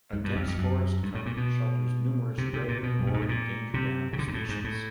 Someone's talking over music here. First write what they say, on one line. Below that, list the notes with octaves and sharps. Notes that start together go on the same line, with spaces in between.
A dense forest cover shelters numerous rare or endangered animal species.
G#2
G2
F2
F2
F#2
G2
A2
A#2
B2
C3
C3
A#2
B2
F#2
G2
G#2
A2
A#2
C3
C#3
D3
G#2
A2
G#2
A2